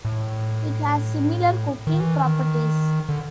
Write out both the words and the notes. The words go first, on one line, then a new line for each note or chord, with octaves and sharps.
It has similar cooking properties.
A2
D#3
E3
D#3
D3